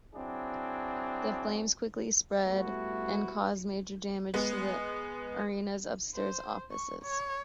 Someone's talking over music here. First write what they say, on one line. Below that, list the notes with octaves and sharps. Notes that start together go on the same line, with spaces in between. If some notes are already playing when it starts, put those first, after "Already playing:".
The flames quickly spread and caused major damage to the arena's upstairs offices.
F#3 C4 D4 E4 G#4
G3 A3 B3 E4 F#4
G#3 B3
C5
C#6
C#5